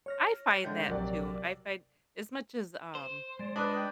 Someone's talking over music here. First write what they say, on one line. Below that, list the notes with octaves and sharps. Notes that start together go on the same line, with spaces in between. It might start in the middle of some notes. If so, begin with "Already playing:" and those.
I find that too. I find As much as, um,
C#5 F6 A#6
D3 G#3 A3 G5 G6
A#1 C3 F#3 A#4 D5 G5
C5
G#3 D5
D4 B4 D#5
G5